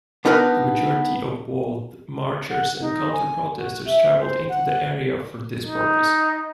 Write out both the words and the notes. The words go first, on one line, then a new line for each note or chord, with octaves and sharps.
The majority of both marchers and counter-protesters travelled into the area for this purpose.
B3 D4 D#4 A#4 B4
F#5
D#4
G#5
F#4
E5
C5
F#5
D#4